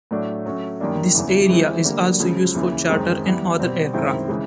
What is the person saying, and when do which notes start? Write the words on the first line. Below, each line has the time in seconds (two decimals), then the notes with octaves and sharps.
This area is also used for charter and other aircraft.
0.11 A2 F#3 A3 D4
0.46 F#3 A3 C#4
0.81 F#2 D#3 G3 A#3 D4
1.15 E2 C#3 E3
1.49 E3 G#3 C4
1.84 D3 G3 A#3
2.19 C#2 C#3 F3
2.55 D#2 C#3 E3
2.90 F#2 D#3 G#3 C4
3.25 E3 G3 B3
3.60 B2 G3 C4
3.93 F#2 D#3 G#3 C4 E4
4.28 C#3 E3 G#3